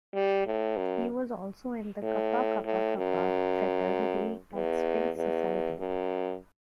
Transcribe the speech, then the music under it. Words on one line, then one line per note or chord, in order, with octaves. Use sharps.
He was also in the Kappa Kappa Kappa fraternity and Sphinx Society.
G3
A2
F#2
A2
A2
F#2
E2
E2
F#2